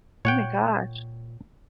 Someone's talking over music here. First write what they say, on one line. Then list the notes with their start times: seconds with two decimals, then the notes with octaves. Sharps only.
Oh my gosh.
0.25 A#2 C#5 F#5 G5